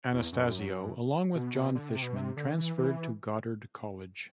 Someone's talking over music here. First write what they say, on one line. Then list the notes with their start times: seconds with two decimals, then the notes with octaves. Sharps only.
Anastasio, along with Jon Fishman, transferred to Goddard College.
0.13 E2
0.33 F#2
1.35 B2
1.55 B2
1.75 D3
1.89 C3
2.02 B2
2.16 C3
2.37 D3
2.57 E3
2.78 E3